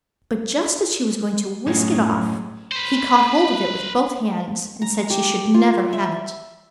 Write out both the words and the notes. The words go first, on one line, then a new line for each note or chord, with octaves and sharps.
But just as she was going to whisk it off, he caught hold of it with both hands, and said she should never have it.
F#2 A2 G#3 C#4
B4 C5
A#5
G4
F4
E5